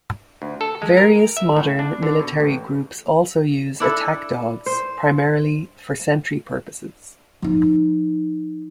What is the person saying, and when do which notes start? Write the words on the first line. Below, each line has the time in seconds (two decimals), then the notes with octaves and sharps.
Various modern military groups also use attack dogs, primarily for sentry purposes.
0.42 D2
0.61 A4
0.82 G#3
0.97 A#4
1.37 E5
1.56 A2
1.79 D4
2.03 D3
2.20 B2
2.40 A1
3.80 D4 E4 A4
4.66 C5
7.42 F3 D#4